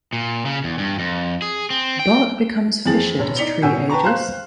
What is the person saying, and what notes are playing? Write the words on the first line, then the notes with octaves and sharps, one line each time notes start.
Bark becomes fissured as tree ages.
A#2
C#3
E2
G2
F2
G#4
C4
G5
F2 E3 C4 G#4 A6 F#7
E1 C#5
D#4 D5 B6 C#7 F7 G7
B2 C#4 F#5 G#5 E6 G6
B4 G5 A5 A#5 C#6
C5 F5 C6 F#6